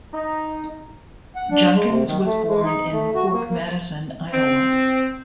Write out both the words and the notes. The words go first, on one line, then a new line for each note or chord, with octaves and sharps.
Junkins was born in Fort Madison, Iowa.
D#4
F#5
D4
G#3
C3
D#3
A3
G#3
D#4
A3
F#4
A#3
A#3
C4